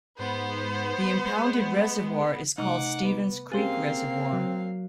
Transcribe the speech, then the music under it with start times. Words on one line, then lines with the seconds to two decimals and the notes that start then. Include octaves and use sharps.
The impounded reservoir is called Stephens Creek Reservoir.
0.19 G#2 B3 C5
1.26 G#3
2.58 C3 A3 D#4 F#5 D6
3.06 B3
3.52 A#3 C4 C#4 G4 G#4 C5 F5 A6
4.33 F#3